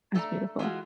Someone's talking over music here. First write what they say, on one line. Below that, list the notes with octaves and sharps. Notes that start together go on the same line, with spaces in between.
That's beautiful.
A3 A4 D5 G#5 A#5
E3 G#3 A3 F4 F#4